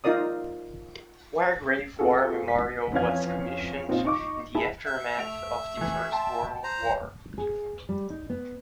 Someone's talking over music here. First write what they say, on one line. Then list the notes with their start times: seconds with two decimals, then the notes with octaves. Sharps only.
Wargrave War Memorial was commissioned in the aftermath of the First World War.
0.04 D#4 F4 A#4 D5 D#6
1.99 B3 C4 F4 F#4 G#4 A4
2.48 B6
2.92 F2 E3 C#4 F5 G#6
3.89 A#2 C4 C#4 D#4 F4
4.05 D#4 C#6 D6
4.55 E4 G#4 A5 B5
4.86 E5
5.17 A3 D7 F7
5.77 E3 A3
6.12 G5 A5 C6
6.64 C5 A#5
7.38 G#4
7.89 G3
8.10 D#4
8.30 B3